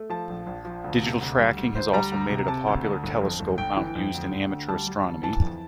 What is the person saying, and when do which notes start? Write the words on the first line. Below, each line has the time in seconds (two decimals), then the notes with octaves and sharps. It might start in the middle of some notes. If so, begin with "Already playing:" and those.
Digital tracking has also made it a popular telescope mount used in amateur astronomy.
Already playing: A3
0.10 F3 A5
0.29 A#1
0.47 A#1
0.65 F3
0.84 D2
1.02 C3
1.21 D2
1.39 G3
1.57 D2
1.75 D2 C5
1.93 G3 A#5
2.12 D2
2.30 C3
2.48 C3 A5
2.67 D2
2.85 D2
3.04 G1
3.21 F2
3.40 G1
3.58 G1 G5
3.77 E3
3.95 F2
4.14 D2
4.32 D3
4.50 D2
4.69 G3 A5
4.87 G3
5.05 D2
5.23 E3 A5
5.42 F2